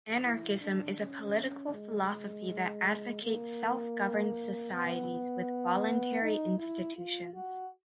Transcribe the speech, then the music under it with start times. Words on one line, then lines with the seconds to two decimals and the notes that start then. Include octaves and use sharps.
Anarchism is a political philosophy that advocates self-governed societies with voluntary institutions.
0.24 E4
0.61 D4
0.99 C#4
1.73 G#3
2.11 G#3
3.22 A#3
4.72 B3
6.22 D#4
6.58 E4
6.97 F4
7.34 F#4